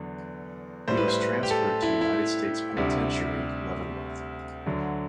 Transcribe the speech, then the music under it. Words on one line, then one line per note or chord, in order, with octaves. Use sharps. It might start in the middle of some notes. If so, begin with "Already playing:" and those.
He was transferred to United States Penitentiary, Leavenworth.
Already playing: E2 D3 F#3
A2 G3 C5
B4
C5
B4
G4
A4
E4
E4
D2 C3 G3
D2 D3 F#3